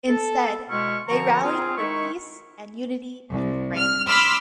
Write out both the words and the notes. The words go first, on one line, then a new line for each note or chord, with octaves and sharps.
Instead, they rallied for peace and unity in France.
A4
D2 B2 G#3 E4 C#6 F6
F#2 D3 F3 A#5 C#6
C4 F4 G#4
D#3 G#3 D#4 E4 C#6
C2
F6
B5 C6 D6 E6 F6 B6